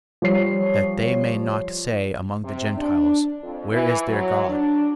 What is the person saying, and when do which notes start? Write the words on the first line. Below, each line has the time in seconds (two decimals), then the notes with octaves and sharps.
That they may not say among the Gentiles: Where is their God?
0.22 F3 G3 C#5 C7
2.43 C3
2.77 D4
3.43 F2
3.71 E3
4.08 F#3
4.50 D4